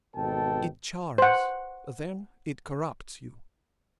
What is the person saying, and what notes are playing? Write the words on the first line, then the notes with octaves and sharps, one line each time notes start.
It charms; then it corrupts you.
G#1 B2 A4 G5 A5
C5 F#5